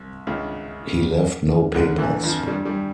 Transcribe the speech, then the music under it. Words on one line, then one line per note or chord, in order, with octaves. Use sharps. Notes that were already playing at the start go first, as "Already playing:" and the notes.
He left no papers.
Already playing: C2
C#2 C#3
D2 D3
E2 E3
F2 F3
G2 G3
G2 G3